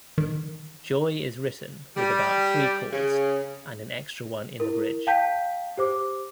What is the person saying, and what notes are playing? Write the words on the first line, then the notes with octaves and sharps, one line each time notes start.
"Joy" is written with about three chords, and an extra one in the bridge.
D#3
G3
C#3
E4 A#4
F5 G5 A5 G6 B6
G4 C5 D6